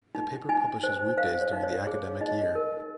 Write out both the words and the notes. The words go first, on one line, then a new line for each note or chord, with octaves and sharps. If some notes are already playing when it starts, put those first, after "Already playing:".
The paper publishes weekdays during the academic year.
D#4
D#4 G#5
C5
C5 F5
C#5
D#4
C#5
G#4 C#5
D#4 D#5
A#4